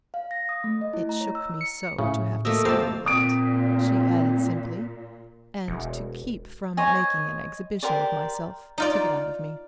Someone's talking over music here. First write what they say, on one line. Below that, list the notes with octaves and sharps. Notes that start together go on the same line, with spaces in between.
It shook me so to have to speak of that," she added simply, "and to keep from making an exhibition of myself took it out of me.
F5
A#6
D#6
A3
D#5
E4
A#5
C#5
E6
C#7
A2 C#3 E4
A3 A#3 D#5 E6
F2 C3 C4 F5 A5
A#2 C4 D#6 D7
E1
C5 C#5 D#5 G#5
G4 A#4 C5 D5
D#4 F4 D5